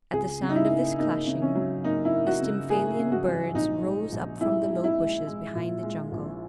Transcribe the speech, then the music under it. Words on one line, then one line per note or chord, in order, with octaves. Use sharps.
At the sound of this clashing the Stymphalean birds rose up from the low bushes behind the jungle.
C#2 G#4
C#3
D#4
E4
A#3
A#3 D#4
C#3
C#4
F#3
A#3 D#4
E4
A#3
F#4
C#3
A#3 G#4
C#3
F#4
F#3
A#1 D#4
G#3
A#1
G#3 E4
G#3
E4
G#3
G#3
A#2
G#3
A#1